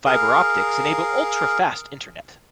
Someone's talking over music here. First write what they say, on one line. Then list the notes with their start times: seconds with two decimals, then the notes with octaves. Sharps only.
Fibre optics enable ultra-fast internet.
0.06 G#4 A#4 F5